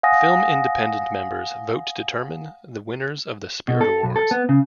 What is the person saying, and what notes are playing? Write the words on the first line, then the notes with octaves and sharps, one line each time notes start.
Film Independent Members vote to determine the winners of the Spirit Awards.
F5 F#5 G#5 D#6 A#6
B2
A4
B1
A4
B3
C#3